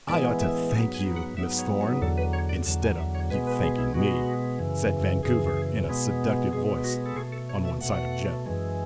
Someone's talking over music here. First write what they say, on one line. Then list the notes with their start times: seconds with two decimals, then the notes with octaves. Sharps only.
"I ought to thank you, Miss Thorn, instead of you thanking me," said Vancouver, in a seductive voice, on one side of Joe.
0.08 A2 E3 G#3 B3 D5
0.41 E5
0.72 G#2 F#3 B3 G#5
0.94 G#5
1.16 F#5
1.37 G#2 F#3 B3 E5
1.59 C#5
1.81 C#5
2.01 E2 D3 F#3 A4
2.18 B4
2.33 C#5
2.49 D5
2.66 E2 D3 F#3 A5
2.83 G#5
2.98 E5
3.15 C#5
3.31 B2 G#3 B3 B4
3.47 B4
3.63 G#4
3.78 E4
3.94 B2 G#3 B3 F#4
4.59 F#2 C#3 E3
5.23 F#2 C#3 E3 G#4
5.88 B2 G#3 B3
6.53 B2 G#3 B3 G#4
6.84 F#4
7.06 A4
7.16 B2 A3 G#4
7.32 A4
7.49 C#5
7.65 E5
7.81 B2 A3 F#5
8.46 F#2 E3 G#3